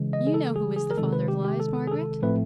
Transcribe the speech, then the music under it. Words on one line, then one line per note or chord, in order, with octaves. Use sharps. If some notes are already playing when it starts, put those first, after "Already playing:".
You know who is the father of lies, Margaret?
Already playing: C#3 E3 G#3
D#5
G#4
A4
G#4
G#4
A#4
C3 D#3 G#3 A4
B4
G4
G4
A4
G#4
A4
A2 F3 A3 C4 B4